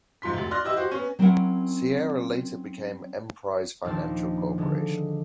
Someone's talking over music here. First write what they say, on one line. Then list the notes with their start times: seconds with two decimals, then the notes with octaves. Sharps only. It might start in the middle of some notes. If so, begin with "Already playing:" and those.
Sierra later became Emprise Financial Corporation.
0.22 G#2 F3 C6 B6
0.33 F1 D2
0.51 D5 C6 F6 F#6 A#6
0.65 E4 G4 D#5 E6
0.77 F#4 G4 C5
0.92 B3 C#4
1.19 F#3 C4 C#4 E4 A#4 F#5
3.85 D#2 A#2 F3 C#4 D4 A5
4.58 D3 G#3